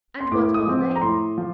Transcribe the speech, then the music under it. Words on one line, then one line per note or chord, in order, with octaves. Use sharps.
"And what are they?"
C6
A2 D6
D#6
F3 C4
D6
A#5
A2 C6
F3